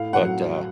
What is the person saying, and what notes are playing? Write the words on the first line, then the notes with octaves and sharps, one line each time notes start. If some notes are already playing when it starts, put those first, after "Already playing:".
But, uh
Already playing: A2 F5
F#5
F#3